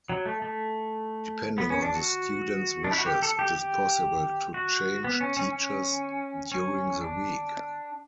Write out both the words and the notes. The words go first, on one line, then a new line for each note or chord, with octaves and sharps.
Depending on the student's wishes, it is possible to change teachers during the week.
F#3
A3
A3
B3
C#4
D4
F#4
D4
E4
F#4
G4
A4
G4
G4
F#4
B3
C#4
C#4
C#4
C#4
D4